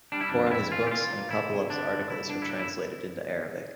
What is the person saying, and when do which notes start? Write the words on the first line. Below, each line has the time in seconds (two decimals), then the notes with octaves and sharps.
Four of his books and a couple of his articles were translated into Arabic.
0.12 G3 D4
0.21 E4
0.29 F2 D4
0.47 F4
0.51 F2 E4
0.71 E3 F4
0.87 G4
0.91 A#3 F4
1.10 A#3
1.31 A#3 E4
1.51 C3
1.70 D3 D4
1.90 G2
2.09 G2 E4
2.30 D3 D4
2.42 E4
2.49 A#3 D4
2.59 E4